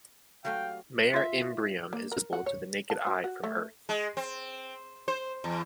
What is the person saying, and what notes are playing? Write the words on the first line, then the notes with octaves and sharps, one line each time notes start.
Mare Imbrium is visible to the naked eye from Earth.
F#3 A3 G4 F5 G5
F4 E5
A#3
A#4
F#4
C#5
A5
F#4
F#4
A3
G#3
C4
C5
E2